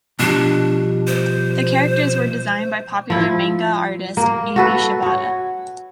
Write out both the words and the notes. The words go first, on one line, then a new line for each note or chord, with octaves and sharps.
The characters were designed by popular manga artist Ami Shibata.
B2 F3 G3 D4
C5
F3 E4
A#3
F#4 A4 B4
F#4 C#5